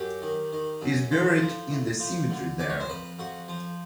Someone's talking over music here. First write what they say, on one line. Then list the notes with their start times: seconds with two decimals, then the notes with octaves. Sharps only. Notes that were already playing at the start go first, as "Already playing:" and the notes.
He is buried in the cemetery there.
Already playing: F#2 G4
0.22 D#3
0.53 D#3
0.82 F#2
1.11 F3 A4
1.42 F3
1.70 A2
2.00 F3
2.30 D3
2.59 F2 D5
2.69 C#5
2.80 C5
2.90 F2 B4
3.19 F2 F#4
3.49 F3